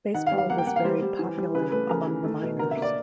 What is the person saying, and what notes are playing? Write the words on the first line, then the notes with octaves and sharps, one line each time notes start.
Baseball was very popular among the miners.
D#3 F#5
F5
G3
F5
A#3 F#5
G5
A#3 F#5
F5
G3 C5
G3
E3
G3
C#3 B4
A3 B4
C#3 A#4
E3
A3
B2
D3 A#4
E5
A#3
D5